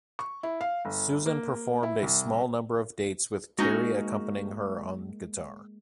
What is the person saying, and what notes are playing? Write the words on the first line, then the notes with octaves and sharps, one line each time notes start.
Susan performed a small number of dates with Terry accompanying her on guitar.
C#6
E4
F5
G1
A#3
E4
C2
G#3 A#3 C#4 D#4 F#4